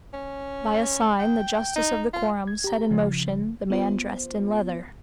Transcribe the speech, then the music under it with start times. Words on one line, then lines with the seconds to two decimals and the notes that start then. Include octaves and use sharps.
By a sign the justice of the quorum set in motion the man dressed in leather.
0.13 C#4
1.19 G5
1.76 D#4
2.14 F4
2.47 G#6
2.64 G4 A#5
2.91 C#3 F3
3.70 B3 F4 C5